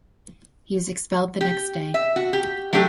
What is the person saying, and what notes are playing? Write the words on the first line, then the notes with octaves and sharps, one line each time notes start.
He was expelled the next day.
G4
E5
F#4
G4
F#3 A3 D4 G4